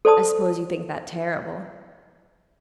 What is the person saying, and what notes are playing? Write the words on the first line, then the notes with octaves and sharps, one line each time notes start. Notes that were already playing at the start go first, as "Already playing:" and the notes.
"I suppose you think that terrible."
A4 C5 D5 A5 D#6